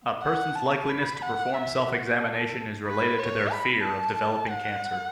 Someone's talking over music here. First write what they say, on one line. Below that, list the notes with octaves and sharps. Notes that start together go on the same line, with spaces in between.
A person's likeliness to perform self-examination is related to their fear of developing cancer.
F#5
A5
B5
F#5
E5
F#4
A4
B4
C#5
B5
A5
F#5